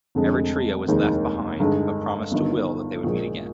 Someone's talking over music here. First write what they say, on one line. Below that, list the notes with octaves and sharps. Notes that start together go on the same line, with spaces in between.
Eretria was left behind but promised to Wil that they would meet again.
F1 F2 D3 G#3
F1 D#2 D#3 G#3
G2 D3 G#3 D#4
G1 G2 D#3
A#1 A#2 G#3